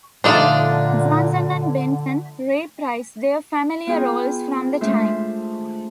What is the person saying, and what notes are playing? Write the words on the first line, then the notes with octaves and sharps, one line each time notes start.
Johnson and Benton reprised their familiar roles from The Time.
A#2 D3 F3 A3 D4 D#4 F4 D5
B3 F4 G#4 G5 G#5
G#3 A3 D4 F4 C5 E5